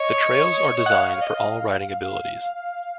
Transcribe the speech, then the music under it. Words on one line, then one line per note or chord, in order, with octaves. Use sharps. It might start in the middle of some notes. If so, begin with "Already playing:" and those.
The trails are designed for all riding abilities.
Already playing: C#5 D#5
F#5
C#5 F5
D#5